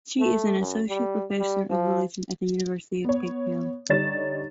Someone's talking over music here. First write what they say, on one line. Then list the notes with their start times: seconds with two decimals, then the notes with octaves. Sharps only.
She is an associate professor of religion at the University of Cape Town.
0.19 A3
0.59 F#2
0.88 G3
1.39 G3
1.70 F3
3.04 B3 C#5
3.89 D3 G3 D#4 C#5 A6 E7